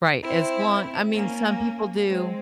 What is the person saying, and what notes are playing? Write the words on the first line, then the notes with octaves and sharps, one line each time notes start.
Right. As long I mean, some people do,
C4 E4
A#3 C#4
G#3 C4